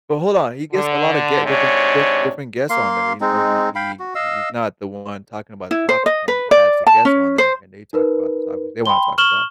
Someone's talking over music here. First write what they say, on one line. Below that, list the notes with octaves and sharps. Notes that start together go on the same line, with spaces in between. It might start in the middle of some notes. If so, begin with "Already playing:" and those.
but hold on. He gets a lot of ge different dif d different guests on there, he oh, he he he's not the one talking about the topics, he has the guests on there, and they talk about the topics they wanna talk about
D3
G#2 C3 D4 C#5
A#3 F5 C6
G#3 C4 D#4
F5 G5 B5
F#4
D#5 F5 E6
E4
C5
D#5
B4
D5
A5
C#4
C5
D#4 A#4 B4
G5 B5 C6 G7
C#6 F6 E7 F#7 G7